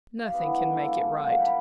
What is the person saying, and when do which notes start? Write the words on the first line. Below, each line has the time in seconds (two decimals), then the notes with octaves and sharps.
Nothing can make it right.
0.18 G4 F5
0.34 D3 E3 F#3 B3
0.75 G#3 A#3 A4 D6
1.16 F3 F#3 A#3 F#5
1.37 E5 F5 G5 B5